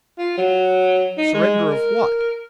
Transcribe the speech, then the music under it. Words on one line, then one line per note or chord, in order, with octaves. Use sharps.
Surrender of what?
F4
F#3
D#4
G#3
A#4